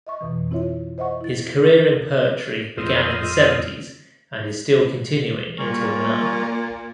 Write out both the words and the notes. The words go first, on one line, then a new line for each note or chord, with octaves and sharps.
His career in poetry began in the seventies and is still continuing until now.
D#5 E5 C#6
F2 B2 E3
C4 E4 F4 C#5 E5
C5 D#5 E5 F#5 C#6
E4 A6
F2 C4 F4 D#5 E6
A#2 G3 A#3 A#4 C#6